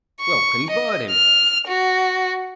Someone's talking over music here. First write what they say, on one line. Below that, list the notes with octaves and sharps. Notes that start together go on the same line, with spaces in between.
We'll convert him!
C#6
D#5
F6
F#4